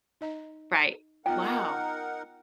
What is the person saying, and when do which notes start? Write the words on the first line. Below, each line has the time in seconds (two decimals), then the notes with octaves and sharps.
Right, wow.
0.21 D#4 D#5 A#5
1.26 B3 D#4 F4 A#4 F#5 G5